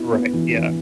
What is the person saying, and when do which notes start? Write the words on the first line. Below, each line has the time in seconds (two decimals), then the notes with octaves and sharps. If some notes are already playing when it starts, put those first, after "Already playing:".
Right, yeah.
Already playing: B3 E4
0.13 B3
0.33 E3
0.54 E3